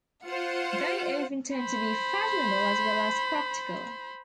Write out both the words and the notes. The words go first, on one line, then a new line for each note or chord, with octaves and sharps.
They often tend to be fashionable as well as practical.
F4 C5 F#5
C5 B5